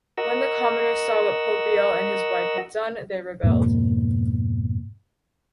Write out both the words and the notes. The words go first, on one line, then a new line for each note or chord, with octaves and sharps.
When the commoners saw what Popiel and his wife had done, they rebelled.
F#4 A#4 D#5 F#5 E6
F2 G#2 B2 A#3